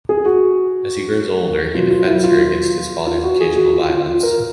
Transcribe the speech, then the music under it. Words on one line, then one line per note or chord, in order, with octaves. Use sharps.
As he grows older, he defends her against his father's occasional violence.
G#4
F#4
B2 F#3 B3 F4
F4
E4
F4
F4
F4
F#4
G#4
F#4
F4
F4
F4
A#4